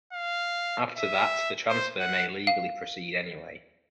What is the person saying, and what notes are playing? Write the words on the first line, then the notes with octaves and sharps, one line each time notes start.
After that, the transfer may legally proceed anyway.
F5
E5
C5
F#5
F5